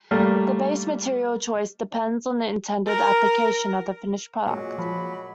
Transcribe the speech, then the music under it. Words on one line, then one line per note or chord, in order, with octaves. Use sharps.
The base material choice depends on the intended application of the finished product.
G3 A3 A#3
A#4
A#2 F#3 G#3
F3 B5